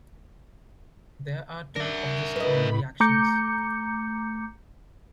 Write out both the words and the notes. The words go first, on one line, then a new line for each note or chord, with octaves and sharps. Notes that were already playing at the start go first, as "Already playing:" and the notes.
There are two of this school reactions.
D4 A#4 E5
A2 B4 D#5 B5
A3 A#5 D6 G6 C#7